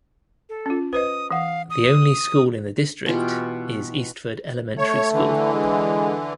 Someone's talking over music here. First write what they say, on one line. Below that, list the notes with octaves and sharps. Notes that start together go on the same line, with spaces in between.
The only school in the district is Eastford Elementary School.
A4
C#4 F4
B4 C5 D#5 D#6
E3 F5 F#5
D#6
B2 E3 F4 G4
A3 C#5
D3 E3
G#3